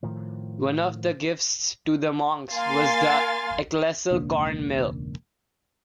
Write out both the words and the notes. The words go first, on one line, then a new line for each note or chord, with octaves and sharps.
One of the gifts to the monks was the Ecclesall Corn Mill.
A2 D#3 F3
A#3 F5 G#5 C6 A6
E1 C#2 A#3 D4